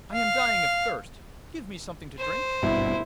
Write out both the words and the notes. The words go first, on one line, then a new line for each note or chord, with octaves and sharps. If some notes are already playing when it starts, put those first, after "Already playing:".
'I am dying of thirst; give me something to drink.'
F5
C5
G#1 G2 B2 E4